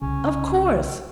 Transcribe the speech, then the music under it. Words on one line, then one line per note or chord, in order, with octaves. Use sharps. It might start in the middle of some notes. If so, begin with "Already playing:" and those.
'Of course.
C2 C#3 C#4